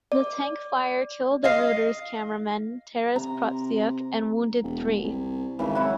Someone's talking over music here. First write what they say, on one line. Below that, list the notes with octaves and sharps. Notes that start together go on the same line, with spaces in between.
The tank fire killed the Reuters cameraman Taras Protsyuk and wounded three.
D5
D#5 F5
C3 A#5
E1
C2
G#1 C#3 E3
F#3 E4 F#4